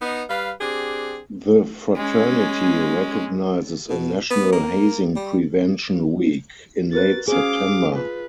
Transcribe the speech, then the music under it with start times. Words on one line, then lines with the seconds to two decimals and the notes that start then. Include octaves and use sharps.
The fraternity recognizes a National Hazing Prevention Week in late September.
0.02 B3 D#4
0.30 G3 B4 F5
0.61 C4 D4 G4 G#4
1.96 G#3 C#4
3.89 B2
4.30 B3
4.52 A#3
5.16 G3
6.93 F#4 A#4 B4 A6
7.28 C#4 F#4 G#4 C5 F5 D6
7.95 F4 B4